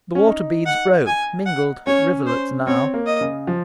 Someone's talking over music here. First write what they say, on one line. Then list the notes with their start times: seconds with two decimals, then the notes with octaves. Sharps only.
The water-beads broke, mingled--rivulets now.
0.15 C#4
0.27 D#4
0.66 F#5
1.06 G#5
1.46 F#5
1.87 C#4 C#5
2.26 C5
2.67 C4 C#5
2.94 A#3
3.06 D#5
3.21 C#3
3.47 F3